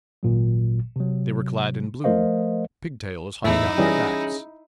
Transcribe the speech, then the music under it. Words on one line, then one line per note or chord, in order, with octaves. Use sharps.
They were clad in blue. Pigtails hung down their backs.
G#1 A#2 F#3
C3 F#3
F3 A3 A#4 C5 D#5 F5
E2 A2 D#4 E4 E5
E3 G3 C#4 G#4 A#6